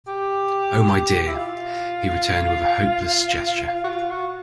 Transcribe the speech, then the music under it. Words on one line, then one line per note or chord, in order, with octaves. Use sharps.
"Oh, my dear," he returned with a hopeless gesture.
G4
E4
F4
F#4
F4
F#4